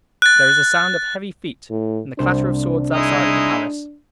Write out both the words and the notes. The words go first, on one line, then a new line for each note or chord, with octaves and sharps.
There is a sound of heavy feet, and the clatter of swords outside of the palace.
F#6 A6
A2
C2 D4 C5
G#3 D#4 E4